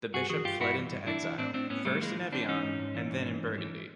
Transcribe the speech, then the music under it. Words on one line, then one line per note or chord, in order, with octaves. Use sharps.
The bishop fled into exile, first in Evian, and then in Burgundy.
G2 F#4 G#4
E3 F#4 G#4
G2 F4 G4
G2 E4 F#4
E3
G2
E3 D4 E4
E3
A2 C4 D4
A2 C4 D4
A2 B3 C#4
A2 G3 A3
E3 G#3 A#3
E3
E3 C4 D4
E3 C#4 D#4
G#2
G#2
E3
G#2
E3
G#2
E3